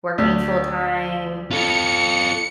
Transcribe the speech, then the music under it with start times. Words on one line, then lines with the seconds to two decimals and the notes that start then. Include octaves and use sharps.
working full time
0.18 D2
1.51 F4 A4 C#7